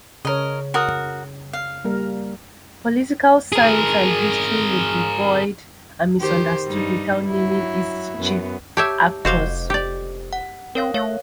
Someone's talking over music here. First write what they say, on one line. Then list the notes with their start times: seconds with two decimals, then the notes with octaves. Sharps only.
Political science and history would be void and misunderstood without naming its chief actors.
0.25 C#3 A#4 C#5 D#5
0.74 F#4 A#4 D#6
1.53 F5
1.85 G3 A#3 A#4
3.53 G#4 A#4
6.20 D#3 G4 C5
6.67 G2 G3 D#4
7.25 F#3 E4
8.17 F#2 B3
8.77 G4 C#5 E5 A5 G6
9.25 F1 F#4 C5 D#5 F5 D6
9.70 G4 D5
10.33 F#5
10.75 C4 A#4 C#5 F5
10.94 A3 C#5 F5